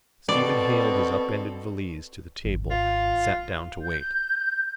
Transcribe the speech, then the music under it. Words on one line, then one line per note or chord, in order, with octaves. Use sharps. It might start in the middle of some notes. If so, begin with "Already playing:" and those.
Stephen haled his upended valise to the table and sat down to wait.
B2 C4 A4 D5
G#1
F4
G6